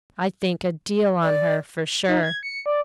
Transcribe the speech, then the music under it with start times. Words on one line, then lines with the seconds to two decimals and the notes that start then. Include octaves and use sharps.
I think a deal on her, for sure.
1.23 D5
2.08 D#4
2.23 G#6
2.43 C#7
2.66 D5